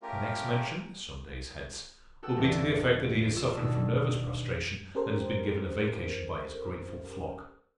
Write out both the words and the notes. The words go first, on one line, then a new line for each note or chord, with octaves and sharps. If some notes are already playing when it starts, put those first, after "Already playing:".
The next mention, some days hence, will be to the effect that he is suffering from nervous prostration and has been given a vacation by his grateful flock.
A3 C#4 F4 G4 A#4
F#4 A4 F#5 G5 E6
G1 E2 E3 D4 E7
D4 F4 C#5 E6 E7
D#2 B2 D4 E6 B6 C7
C#4 G4 A4 A#4 C5